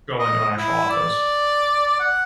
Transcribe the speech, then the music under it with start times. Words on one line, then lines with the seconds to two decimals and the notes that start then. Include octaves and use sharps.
go into an actual office?
0.19 D#5
0.58 E4
0.90 D5
2.00 F#5